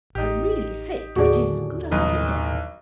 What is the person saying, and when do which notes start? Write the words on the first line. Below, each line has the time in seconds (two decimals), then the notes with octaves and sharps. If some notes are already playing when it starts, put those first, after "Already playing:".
'I really think it is a good idea.
0.15 A1 D#4 G4
1.16 D#2 A2 D3 F#4 G#4 D5
1.91 D#1 B1 E3 G3 D#4 B4